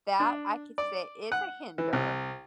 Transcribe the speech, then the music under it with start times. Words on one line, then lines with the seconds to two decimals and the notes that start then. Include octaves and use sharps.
that, I could say, is a hinder
0.19 D4
0.78 D5
1.32 F#5
1.78 E3
1.93 C2